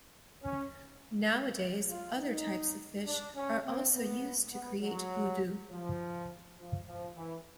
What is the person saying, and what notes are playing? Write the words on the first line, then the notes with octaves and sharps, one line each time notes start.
Nowadays, other types of fish are also used to create Budu.
C#4
F4
D#4
D4
C#4
C4
B3
B3
F#3
F3
F3
F3
E3